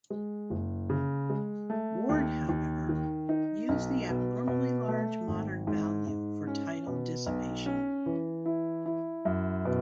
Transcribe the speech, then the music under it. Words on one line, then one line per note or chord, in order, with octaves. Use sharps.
Ward, however, used the abnormally large modern value for tidal dissipation.
G#3
F#1
C#3
G#3
A3
D#2
D#2
D#3
D#4
B1
B2
B2
A3
G#1
G#2
G#2
C#4
B2
B1
C#4
E3
E4
E4
F#2
B2